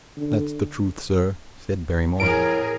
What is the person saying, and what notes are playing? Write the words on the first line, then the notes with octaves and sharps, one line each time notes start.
"That's the truth, sir," said Barrymore.
D3
F2 A2 G#4 A#4 D7